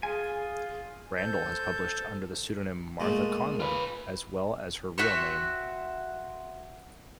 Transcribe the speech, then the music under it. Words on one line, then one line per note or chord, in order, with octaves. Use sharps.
Randall has published under the pseudonym Martha Conley as well as her real name.
F4 G#4 G#5
A4 C5 G6
A#2 G#3 A3
F4 B4
C4 F#4 E5 C#6